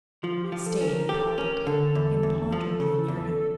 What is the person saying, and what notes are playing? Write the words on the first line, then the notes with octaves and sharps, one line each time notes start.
I stayed impalpably, imponderably near him.
F3 F4
G4
F3
A4
C#4
A#4
G4 A4
C#4 A#4
D3 A4
E2
E2
F3
C#3
E2